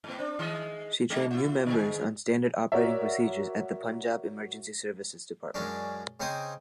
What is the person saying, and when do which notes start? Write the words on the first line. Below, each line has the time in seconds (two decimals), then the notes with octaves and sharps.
She trained new members on standard operating procedures at the Punjab Emergency services Department.
0.04 G#2 B3
0.19 C4 D4
0.39 D#3 G#3 D#5
1.10 G#3 D#4
1.31 E4 F4
1.67 D3 B3 G#4
2.72 F#4 A#4 C#5 D5 E5
5.54 F#2 G#3 C#4 D4
6.20 C#3 C4 D#4 C5 G#5 D#6